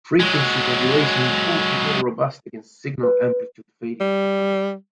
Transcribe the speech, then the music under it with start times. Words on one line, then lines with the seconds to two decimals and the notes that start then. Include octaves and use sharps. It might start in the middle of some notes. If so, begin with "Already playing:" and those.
Frequency modulation is also more robust against signal-amplitude-fading phenomena.
0.20 F#3 G#3
3.03 B4
4.00 G3